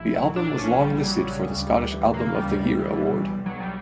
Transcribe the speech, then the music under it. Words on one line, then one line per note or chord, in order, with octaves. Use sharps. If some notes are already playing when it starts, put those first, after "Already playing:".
The album was longlisted for the Scottish Album of the Year Award.
Already playing: A#1 E4
F#3
A#2 D4
A#1 C#4
A#1 G3
F#3
C#3
D2
D2
E3
C#3 A#3
D2 G3
D2
E3
B2
B1
B1 F#3
G3